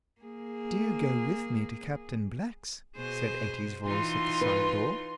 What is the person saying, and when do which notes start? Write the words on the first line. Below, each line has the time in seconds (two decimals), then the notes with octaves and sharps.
"Do go with me to Captain Black's," said Etty's voice at the side door.
0.21 A#3 G#4
2.96 B2 G#4 C5
3.85 E3 D#4 F4 C6
4.41 B4